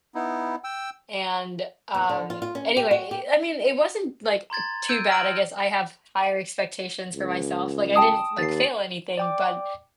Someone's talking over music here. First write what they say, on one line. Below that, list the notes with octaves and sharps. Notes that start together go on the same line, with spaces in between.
and, um, anyway I mean, it wasn't, like, too bad, I guess I have higher expectations for myself, like, I didn't, like, fail anything, but
B3 D#4 E4
G5 E6
E2
D3
F4
F4
C#4
G4
F#4
G4
A#5 C6 G#6 A6
E6 G6 G#6 D7 D#7
F6 A#6 D7 E7 F#7
C#2
G5 A5 D#6
D#2 A6 C7
D5 G5 D6